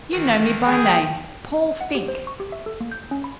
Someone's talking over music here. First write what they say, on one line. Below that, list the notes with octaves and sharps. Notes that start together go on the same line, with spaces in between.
You know me by name--Paul Fink.
D#3 E3
G#4 G5
F#5
G4
C5
C#6
G4
E5
A4
A#3
G6
C#4
B5